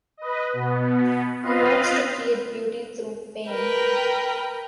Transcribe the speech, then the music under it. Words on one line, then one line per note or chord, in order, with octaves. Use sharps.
He wants to create beauty through pain.
B4 D#5
B2 B3
C4 F4 B4 D#5 F5
A#4 B4 G5